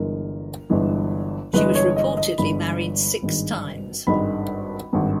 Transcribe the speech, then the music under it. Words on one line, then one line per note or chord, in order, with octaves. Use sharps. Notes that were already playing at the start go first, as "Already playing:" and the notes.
She was reportedly married six times.
Already playing: G1 G2 E3 G#3 A#4
G1 G2 E3 G#3
G1 G2 E3 G#3 B4
C#5
D#5
D#5
G1 G2 E3 G#3 B5
G#1 G2 D#3 G#3
G#1 G2 D#3 G#3 B5
G#1 G2 D#3 G#3